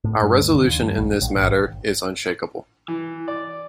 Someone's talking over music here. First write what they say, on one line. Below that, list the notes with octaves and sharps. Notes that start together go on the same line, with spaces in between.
Our resolution in this matter is unshakable.
A2
G2
D2
D3
D#2
G2
A#1
A#1
G#1
E3
D5